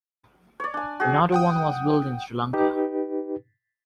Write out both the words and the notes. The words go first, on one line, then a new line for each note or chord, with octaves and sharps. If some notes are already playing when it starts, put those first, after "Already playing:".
Another one was built in Sri Lanka.
C#5 D5
D4 G#5
F#4 G#4
F#5 G5 D#6
D#4 G4 B4